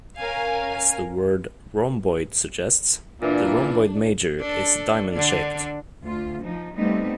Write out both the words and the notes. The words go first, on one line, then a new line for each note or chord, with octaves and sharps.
As the word "rhomboid" suggests, the rhomboid major is diamond-shaped.
C#4 A#4 F5 G#5
A#2 E3 D4
D4 A4
D3 D4
D2 F4
F3 D#4
G3 A3 B3 C4 D#4